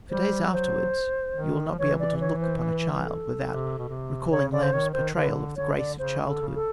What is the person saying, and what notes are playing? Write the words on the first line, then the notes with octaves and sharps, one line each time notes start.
For days afterwards you will not be able to look upon a child without recalling Lamb's portrayal of the grace of childhood.
G3 C5
F#3 C5
D#3
F3
E3 C#5
D5
C#5
C5
B4
A4
C3
B2
C3
C#3 C#5
D3 D5
C5
D#3 C#5
D#3 C5
D3 B4
D3 C#5
D5
C#3 C5
D3
A4
C#3
A4